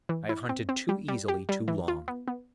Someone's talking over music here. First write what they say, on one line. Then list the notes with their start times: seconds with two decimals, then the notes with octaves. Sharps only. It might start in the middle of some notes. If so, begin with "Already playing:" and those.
I have hunted too easily too long.
0.09 E3
0.29 E4
0.49 C4
0.69 C4
0.89 G3
1.08 G3
1.28 G4
1.49 G3
1.68 E3
1.88 F4
2.08 B3
2.28 B3